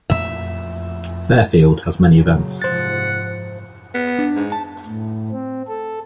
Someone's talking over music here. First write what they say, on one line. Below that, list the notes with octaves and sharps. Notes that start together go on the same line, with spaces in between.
Fairfield has many events.
F2 A#2 A3 E5
A#2 C#3 F#3
G#2 C3 F3 C5 F#5 A6
B3
D4
G#2
A5
A2
C4
A4